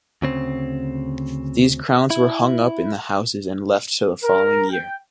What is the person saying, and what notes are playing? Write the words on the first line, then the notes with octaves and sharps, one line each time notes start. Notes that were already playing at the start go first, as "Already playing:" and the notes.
These crowns were hung up in the houses and left till the following year.
D2 C#3 C4
E4
A#4
G5